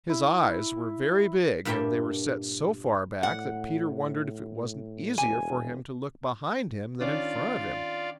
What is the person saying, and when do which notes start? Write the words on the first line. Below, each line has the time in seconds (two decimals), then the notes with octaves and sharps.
His eyes were very big and they were set so far back that Peter wondered if it wasn't easier for him to look behind him than in front of him.
0.10 E4
1.65 G2 A#2 G3 G4 E5 G5
3.23 A2 F#5
5.18 E1 G#5
7.00 D#3 C#4 D4 F4 D5